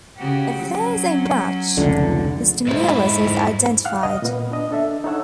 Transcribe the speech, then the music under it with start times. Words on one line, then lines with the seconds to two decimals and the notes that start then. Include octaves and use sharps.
If there is a match, the stimulus is identified.
0.18 C#3 F#4 G4
0.65 F#3 C#4
1.77 F1 C#2 D3
2.67 G#2 E4
3.85 F5 F#5 F6
4.03 D#5
4.22 A#2 B3
4.51 D4 D#5
4.71 D4 A4 E5
5.04 D#4 A4 C#5 F#5 E6